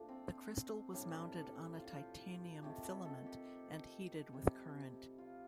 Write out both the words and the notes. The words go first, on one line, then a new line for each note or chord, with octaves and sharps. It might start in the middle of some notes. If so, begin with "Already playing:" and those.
The crystal was mounted on a titanium filament and heated with current.
Already playing: A#2 F3 A3 D4
C4
A2 G3 D4
A#4
A4
G4
F4
G4
F4
C3 D#3 A3 G4
A4
A4
G4
C3 G3
F4